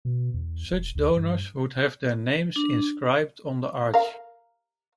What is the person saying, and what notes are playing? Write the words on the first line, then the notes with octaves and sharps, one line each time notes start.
Such donors would have their names inscribed on the arch.
B2
E2
E1
D2
G2
D4
A#4 F5